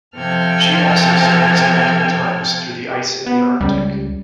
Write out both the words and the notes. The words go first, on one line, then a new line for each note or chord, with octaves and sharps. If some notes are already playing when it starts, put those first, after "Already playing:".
She also surfaced multiple times through the ice in the arctic.
C3 F3 A4 G5 F6 G#6
G4
B3
C#2 G3